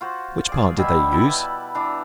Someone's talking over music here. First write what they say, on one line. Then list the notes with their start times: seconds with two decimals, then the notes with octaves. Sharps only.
Which part did they use?
0.01 F4 F#4 C5
0.49 G#4 D5
0.77 B2 G3 E5 G#5
1.12 E4 B4 A5
1.75 E3 D4